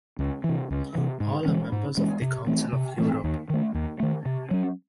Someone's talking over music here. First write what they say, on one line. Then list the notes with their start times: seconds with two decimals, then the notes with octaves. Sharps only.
All are members of the Council of Europe.
0.19 C#2
0.44 E3
0.49 C3
0.70 C#2
0.95 C3 E3
1.20 G#2
1.46 E3 G#3 C#4
1.72 G#2
1.97 E3 G#3 C#4
2.22 C3
2.47 E3 A3 C4
2.73 C3
2.99 E3 A3 C4
3.24 D#2
3.50 D#3 A3
3.74 D#2
4.00 D#3 A3
4.25 C3
4.51 F#3 C#4